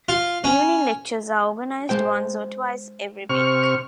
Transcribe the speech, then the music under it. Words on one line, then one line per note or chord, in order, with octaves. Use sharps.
Evening lectures are organized once or twice every week.
F4
C#4
G#3 C5 G5
C3 C#6 F6